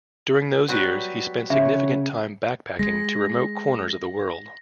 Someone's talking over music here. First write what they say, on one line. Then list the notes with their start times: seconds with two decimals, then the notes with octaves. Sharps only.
During those years, he spent significant time backpacking to remote corners of the world.
0.68 F#3 G3 B3
1.50 C#3 C#5 E5
2.79 G#3 A#6